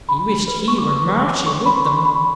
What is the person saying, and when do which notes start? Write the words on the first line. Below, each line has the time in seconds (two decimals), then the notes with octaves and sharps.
He wished he were marching with them.
0.09 D4 B5
0.29 D4
0.48 B4
0.68 D4 C#6
0.78 D6
0.87 B4 C#6
1.07 B4
1.26 C#5 D6
1.46 A4 C#6
1.66 F#4 B5
1.79 B5
1.85 F#4 C#6
2.05 F#4 B5